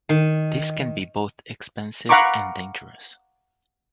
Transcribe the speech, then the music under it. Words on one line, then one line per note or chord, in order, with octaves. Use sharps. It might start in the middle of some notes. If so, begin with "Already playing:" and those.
This can be both expensive and dangerous.
D#3
F5 F#5 A#5 B5 C#6 D6